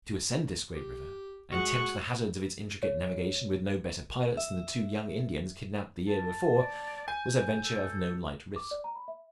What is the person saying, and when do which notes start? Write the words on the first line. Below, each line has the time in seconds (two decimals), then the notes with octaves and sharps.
To ascend this great river, and tempt the hazards of its intricate navigation with no better pilots than the two young Indians kidnapped the year before, was a venture of no light risk.
0.75 G4
1.52 G#3 F#4 F#5 C#6
2.83 C#5
4.37 E5
6.08 A5
6.57 D5
7.08 G#5 G6
7.63 A4
8.56 D6
8.71 D5
8.84 A#5
8.96 B5
9.08 E5